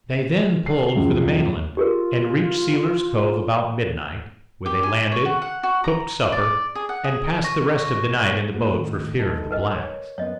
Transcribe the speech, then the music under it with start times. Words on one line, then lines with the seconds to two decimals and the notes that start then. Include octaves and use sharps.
They then pulled for the mainland, and reached Sealer's Cove about midnight, where they landed, cooked supper, and passed the rest of the night in the boat for fear of the blacks.
0.66 C7
0.94 D#1 C#2 F#2 F3
1.77 F4 G4 G#4 A#4
4.66 G4
4.83 G#5
5.12 C#5
5.25 F#4
5.42 F#5
5.63 F#4
5.84 A#5
6.32 D5
6.75 G#4
6.89 F#5
7.04 G#4
7.44 C#6 A#6
8.54 A3 A#3 F#4
8.76 A2 D#3
9.19 G2 D#4 A4
9.51 A#4 B4 D#5
9.76 C#5
10.18 F#2 B3 C#5 D#5